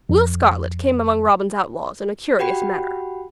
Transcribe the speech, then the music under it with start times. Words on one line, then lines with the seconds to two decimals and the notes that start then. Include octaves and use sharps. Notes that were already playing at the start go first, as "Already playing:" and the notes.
Will Scarlet came among Robin's outlaws in a curious manner.
0.09 F2
2.39 F#4 G4 F#5 G5 B5